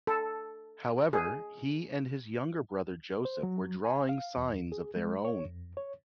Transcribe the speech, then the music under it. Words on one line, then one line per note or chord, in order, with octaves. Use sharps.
However, he and his younger brother Joseph were drawing signs of their own.
A4
G#4
C5
F#3
G#5
F5
E2
G#4
G#3
C#5
F2
C#5